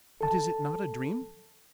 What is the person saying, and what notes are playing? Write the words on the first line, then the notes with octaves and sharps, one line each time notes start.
But is it not a dream?
A4 A5